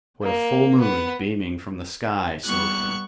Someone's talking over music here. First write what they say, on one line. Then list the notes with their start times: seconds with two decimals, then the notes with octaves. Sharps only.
For the full moon beaming from the sky smote him.
0.23 A#3
0.80 B3
2.45 G3 B3 C#6 F#6